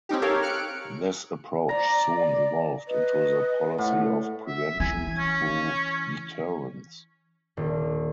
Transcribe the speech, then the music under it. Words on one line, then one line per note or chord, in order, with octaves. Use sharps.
This approach soon evolved into the policy of Prevention through Deterrence.
C4 C#4 D#4 G4
G4 A4 A#4 C#5 F5
F6 F#6 C#7 D7
D5 A#5
B4 D#5
A2 F#5
E5
E3 G#5
C#4
D#1